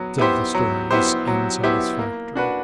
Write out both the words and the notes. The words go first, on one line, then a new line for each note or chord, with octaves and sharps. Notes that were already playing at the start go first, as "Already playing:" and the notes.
Still the story was unsatisfactory.
Already playing: F#3 B3
B3 E4 G4 C5
F#3
B3 E4 G4 C5
F#3
B3 E4 G4 C5
A#3
D4 F#4 B4